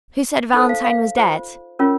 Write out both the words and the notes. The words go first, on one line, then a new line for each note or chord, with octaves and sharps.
"Who said Valentine was dead?"
D#4 A4 C5 A5
F5
F5
F4 C5
C#4 F4 A#4 C#5